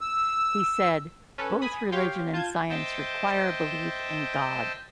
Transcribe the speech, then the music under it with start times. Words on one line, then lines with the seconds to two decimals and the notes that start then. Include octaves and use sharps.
He said: Both Religion and science require a belief in God.
0.01 E6
1.38 C#4 A4 B4
1.62 G#5 B5 D#6
1.92 G4 C#5 F5 G5 C6
2.33 F4 A5 G6 G#6
2.70 C5 D#5 E5 G5 A5